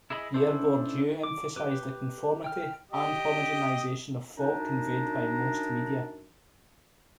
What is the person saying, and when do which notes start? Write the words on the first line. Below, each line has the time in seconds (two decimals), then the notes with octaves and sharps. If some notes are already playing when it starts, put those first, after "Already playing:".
Pierre Bourdieu emphasized the conformity and homogenization of thought conveyed by most media.
0.10 E4 G#4 D#5 B5
0.34 C#4 D4 E4 A4 C5
1.23 D6
1.56 G4 B4
2.44 G5 F6
2.91 G4 D#5
4.36 F#2 D4 D#4